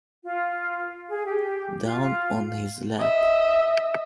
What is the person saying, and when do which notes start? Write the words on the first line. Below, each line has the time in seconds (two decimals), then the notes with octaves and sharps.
Down on his luck.
0.24 F4
1.10 G#4
1.25 G4
1.85 F4
2.99 D#5 E5